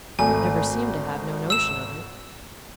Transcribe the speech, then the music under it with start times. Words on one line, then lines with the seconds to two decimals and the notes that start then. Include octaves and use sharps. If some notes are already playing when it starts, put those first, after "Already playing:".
Never seemed to have no notion of it.
0.19 G#1 A3 G#5
1.50 E6 E7